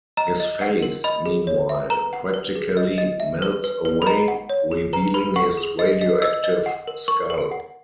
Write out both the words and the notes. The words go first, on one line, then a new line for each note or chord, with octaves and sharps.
His face, meanwhile, practically melts away, revealing his radioactive skull.
D#5 A#5
D#5
F#5
A#4
D#5 B5
G#4
C#5
E5
B4 A#5
F#5
B4
G#4
D#5
D#5
E5
B4
B4
B4
B5
D#5 A#5
F#5
C#5
G#4
B4 A#5
B4 B5
F#5 C#6
G#4
D#5
D#5
D#5 E6
D#5
F#5
A#4
A#4 C#6
A#4
F#5